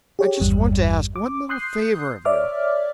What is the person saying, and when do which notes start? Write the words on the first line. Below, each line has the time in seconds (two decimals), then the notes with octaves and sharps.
"I just want to ask one little favor of you."
0.19 G4 G#4 C#5
0.40 G#1 E2 G2 G3
1.16 D6
1.49 C6 D#6 F#6 G6 C7
2.25 C#5 D5 E5 D6 F6